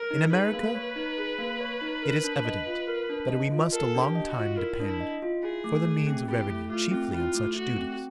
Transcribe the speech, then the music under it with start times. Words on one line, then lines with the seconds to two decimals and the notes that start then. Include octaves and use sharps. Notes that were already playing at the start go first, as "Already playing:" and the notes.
In America, it is evident that we must a long time depend for the means of revenue chiefly on such duties.
Already playing: A#4
0.11 D#4
0.33 G#4 B4
0.53 A#3
0.75 C#5
0.96 D#4
1.18 G#4
1.38 A#3
1.60 C#5
1.81 D#4
2.03 A#4
2.24 D4
2.45 D#5
2.67 F4
2.87 A#4
3.09 D4
3.31 D#5
3.52 F4
3.73 A4 A#4
3.95 D4
4.02 G4
4.15 D#5
4.29 F#4
4.37 F4
4.57 E4 A#4
4.80 D4
4.87 E4
5.01 D#5
5.22 F4
5.43 E4 G#4
5.64 A3
5.85 A3
6.07 C4
6.28 E4 G4
6.50 A3
6.70 A3 F4
6.91 C4
7.13 E4 F4
7.35 A3
7.55 A3 F#4
7.77 C4